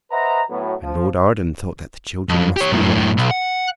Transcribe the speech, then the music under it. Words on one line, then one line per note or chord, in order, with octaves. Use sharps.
And Lord Arden thought that the children must be right.
B4 C5 D#5 E5 F#5 A#5
A2 F#3 B3
F3
F2
G4 C#5
F#2 A2
B1
F#5